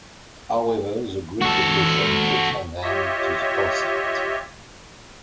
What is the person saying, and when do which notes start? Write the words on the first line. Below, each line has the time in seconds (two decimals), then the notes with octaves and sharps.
However, the Great Depression put an end to the concept.
1.41 F#4 A4
2.82 F4 G4 C#5 D#5 E5